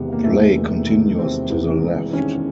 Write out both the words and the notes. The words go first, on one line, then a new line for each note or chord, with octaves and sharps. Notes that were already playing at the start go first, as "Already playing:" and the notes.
Play continues to the left.
Already playing: E1 C3 D#3 B3
A#3
E2 A3
E1
D#3
C3 C4
E2
E1
D#3 C#4